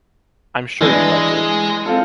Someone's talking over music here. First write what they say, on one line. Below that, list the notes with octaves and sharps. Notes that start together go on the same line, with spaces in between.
I’m sure you like it.
E3 G#3 D4 B4
C4 F4 A4